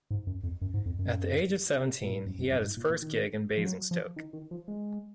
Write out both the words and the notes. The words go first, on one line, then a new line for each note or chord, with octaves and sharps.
At the age of seventeen he had his first gig in Basingstoke.
G#2
F#2
F2
F#2
G#2
F2
F#2
A#2
G#2
F#2
F#2
F#2
G#2
A#2
A#2
D#3
F3
F#3
F3
D#3
D#3
F3
G#3